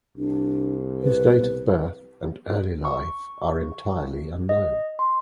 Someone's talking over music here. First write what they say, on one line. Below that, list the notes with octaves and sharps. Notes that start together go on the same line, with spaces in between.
His date of birth and early life are entirely unknown.
C2 D4
B4
C#6
D#5
C6